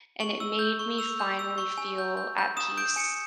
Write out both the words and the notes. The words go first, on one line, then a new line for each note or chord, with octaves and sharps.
and it made me finally feel at peace,
C#6 F#7
E6
G6
C#6
E6 F7
G6
E6
C#6
G#5
G6
G6
G6
D#6 E7
G6 D7
G#5 C#7